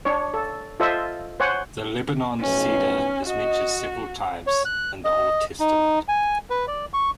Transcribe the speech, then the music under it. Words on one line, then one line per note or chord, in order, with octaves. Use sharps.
The Lebanon Cedar is mentioned several times in the Old Testament.
D4 C#5
A4
F4 A4 C5 D#5 E5
C5 C#5 F#5 G#5
B1 F2 A2 C#4
F#4 D#5
C#5
F#6
D#5
D#4
G#5
B4
D5
C#6